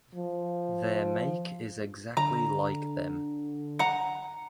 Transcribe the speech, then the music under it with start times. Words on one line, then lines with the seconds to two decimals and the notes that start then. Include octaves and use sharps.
Their make is exactly like them.
0.15 F3
2.17 D3 A#5
3.79 F#5 A#5